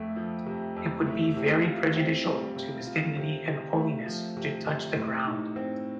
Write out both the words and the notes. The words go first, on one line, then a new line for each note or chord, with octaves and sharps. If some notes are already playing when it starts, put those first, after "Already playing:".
It would be very prejudicial to his dignity and holiness to touch the ground.
Already playing: F2 A3
F3
C3
F2
A3
C3
F4
C4
G3
C3
F4
C3
C3
A3
F3
C3
C3
A2
D#4
C4